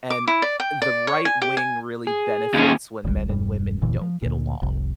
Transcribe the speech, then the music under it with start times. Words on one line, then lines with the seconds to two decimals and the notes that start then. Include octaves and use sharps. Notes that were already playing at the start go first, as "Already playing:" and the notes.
and, uh, the right wing really benefits when men and women don't get along.
0.10 D6
0.28 E4
0.42 D5
0.60 G5
0.82 D5
1.07 C#5
1.25 G#5
1.42 G4
1.57 G#5
2.07 G#4
2.54 D#2 C#4
3.05 D#1 G#1 C#2 G3
3.29 E1 G2 G3
3.82 F1 D2 A#2 E3
4.01 F3
4.22 D2 A#2
4.62 F1 C2